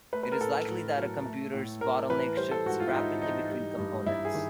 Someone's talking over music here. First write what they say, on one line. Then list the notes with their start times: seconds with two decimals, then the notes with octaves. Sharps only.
It is likely that a computer's bottleneck shifts rapidly between components.
0.13 A3 B4
0.23 B4
0.32 A#4
0.41 A2 A4
0.68 A2
0.97 F#3
1.26 A3
1.53 A2
1.81 A2 A#4
2.10 E3 B4
2.37 G3 C5
2.51 A4
2.66 G#2 F#4
2.80 F4
2.88 E4
2.94 G#2 D#4
3.22 E3 D#4
3.51 G3
3.78 G2
4.06 G2 E4
4.25 G#4
4.35 D#3